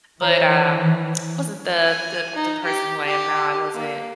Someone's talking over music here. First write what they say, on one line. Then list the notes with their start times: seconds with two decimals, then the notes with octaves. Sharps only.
But, um, wasn't the the the person who I am now I wasn't
0.21 E3 C5 C#5 A#5
1.86 G#5
2.35 D#4
2.64 G4
3.05 G4
3.74 A#3